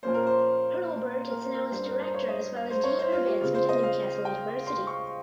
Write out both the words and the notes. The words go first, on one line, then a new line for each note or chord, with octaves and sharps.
Hurlbert is now its Director as well as Dean of Advancement at Newcastle University.
A#2 F3 A#3 C#4 C5
A#4
C5
A#4
C5
A#4
G2 G3 C#4 C5
A#4
C5
C#5
D#5
F5
C5
C#5
C5
F4
G4
C#3 G#3 C4 F4
C5
D#5
F5
G5
C6
C#6